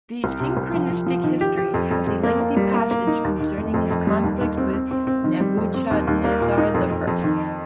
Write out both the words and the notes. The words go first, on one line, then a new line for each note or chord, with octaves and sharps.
The "Synchronistic History" has a lengthy passage concerning his conflicts with Nebuchadnezzar the First.
C2
C3
C2
F3
F3
F3
D#3
G4
G4
F2
F2
F2
A#3
A#3
G3
A#3
A#3
D#4
D#2
D#3
F1
F2
F2
G3
D#2
D#2
C4
C4
C4
C4
D#3
G3
F2
C4
D#2
D#2
A#3
A#2
D#4
F2
F2
F2
D#3